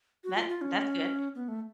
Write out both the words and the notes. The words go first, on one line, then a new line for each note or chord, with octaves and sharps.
That that's good.
F#4
F4
F4
C#4
B3
A3